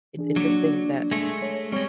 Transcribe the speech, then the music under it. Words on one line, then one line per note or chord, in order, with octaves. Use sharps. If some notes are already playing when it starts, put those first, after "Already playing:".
it's interesting that
E3 D4 G#4
F#3 A#3 D4 D6
G#3 A3
C#5
G3 G#3 C4 C#5 C#6